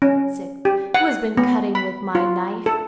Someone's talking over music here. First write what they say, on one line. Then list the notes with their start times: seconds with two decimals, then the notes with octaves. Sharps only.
The sixth, "Who has been cutting with my knife?"
0.02 C#4
0.65 G4
0.94 F#5
1.37 B3
1.75 B5
2.15 F4
2.66 A4